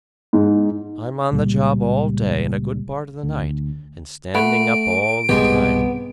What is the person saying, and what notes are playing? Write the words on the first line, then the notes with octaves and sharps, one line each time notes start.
I'm on the job all day and a good part of the night, and standing up all the time.
G#2
C#2 A#2 G3
D2
A3 F#5 B5 D7
C2 G#2 B2 G#3 B3 G4